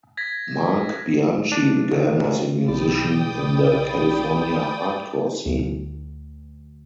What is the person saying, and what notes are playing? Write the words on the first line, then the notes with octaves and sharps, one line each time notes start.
Marc Bianchi began as a musician in the California hardcore scene.
G#6 A#6 B6
D4
A1
D#2
B1 D5 G5 B5 D#6
D2